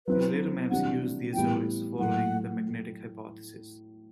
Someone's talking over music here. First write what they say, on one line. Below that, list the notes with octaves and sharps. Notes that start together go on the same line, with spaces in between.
His later maps used the Azores, following the magnetic hypothesis.
F#3 C4 E4 B4
C3 E3 G3 D4 F#5
A2 E3 G3 B3 E4 G5
A2 F#3 A3 F#5